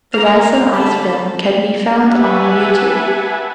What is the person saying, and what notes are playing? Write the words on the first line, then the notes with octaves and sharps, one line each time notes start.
The Rice on Ice film can be found on YouTube.
A#3 F5 A#5
D3 G4 A5 B5
G4 B4 E5 F#5 G#5 A5